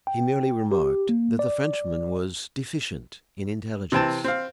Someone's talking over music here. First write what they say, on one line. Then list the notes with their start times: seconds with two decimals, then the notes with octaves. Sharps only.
He merely remarked that the Frenchman was deficient in intelligence.
0.07 G5
0.72 G4
1.09 A#3
1.39 D5
3.92 C3 E3 C4 G5 A5
4.24 C4 F5